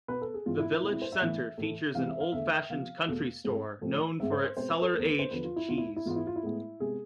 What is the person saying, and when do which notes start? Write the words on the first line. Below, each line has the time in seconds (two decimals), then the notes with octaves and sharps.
The village center features an old-fashioned country store, known for its cellar-aged cheese.
0.08 B2 B3 B4
0.22 A4
0.34 G#4
0.46 G#2 E3 B3 F4
0.59 E4
0.71 E4
0.83 B2 G#3 C4 E4
0.93 E4
1.02 C5
1.12 E5
1.21 A2 E3 B3
1.58 A2 E3 A3
1.95 C3 E3 G#3 C4 F5
2.08 E5
2.20 F5
2.32 E2 D3 A3 E5
2.70 C3 F3 B3 F5
3.07 E2 B2 A3
3.44 G#2 G#3 C4
3.81 A2 F3 A3 C4
4.20 G#2 G#3 C4 E5
4.32 C5
4.44 C5
4.57 B2 G#3 C4 C5
4.69 B4
4.82 A4
4.93 E2 D3 A3 A4
5.07 B4
5.19 C5
5.31 E2 D3 F3 B4
5.44 F4
5.56 E4
5.68 E2 B2 B3 F4
5.78 E4
5.96 E4
6.06 G#2 E3 B3 F4
6.16 E4
6.27 F4
6.36 E4
6.43 A2 G#3 B3
6.80 C3 G#3 B3 G#4